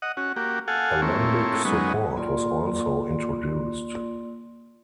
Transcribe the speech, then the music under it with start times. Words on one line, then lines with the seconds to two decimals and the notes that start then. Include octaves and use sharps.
Alembic support was also introduced.
0.02 D#5 F#5
0.17 C#4 F#4
0.36 A#3 F#4 G4
0.68 A4 F5 F#5 G#5
1.02 A3 A#3 C4 E4 C#5
1.65 F#3 G#3 B3 C#4 D#4
2.17 A#3 F4 D5 C6